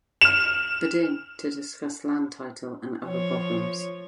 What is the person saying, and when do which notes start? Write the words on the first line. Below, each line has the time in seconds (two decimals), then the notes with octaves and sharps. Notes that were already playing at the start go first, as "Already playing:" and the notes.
Badin to discuss land title and other problems.
0.21 F6 E7
3.05 F3 C#5